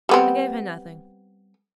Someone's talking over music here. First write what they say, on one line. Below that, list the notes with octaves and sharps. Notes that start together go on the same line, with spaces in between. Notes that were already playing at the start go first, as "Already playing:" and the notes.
'I gave her nothing.
G3 B3 C4